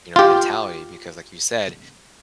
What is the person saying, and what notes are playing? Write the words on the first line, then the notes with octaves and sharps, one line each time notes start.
you know, mentality because like you said,
F4 G4